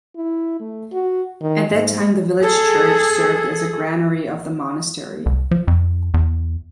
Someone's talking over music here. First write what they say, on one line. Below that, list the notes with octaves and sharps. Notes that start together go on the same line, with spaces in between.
At that time the village church served as a granary of the monastery.
E4
A3
F#4
D#3
G#2
G#4 A4
C2
F3
F2
E2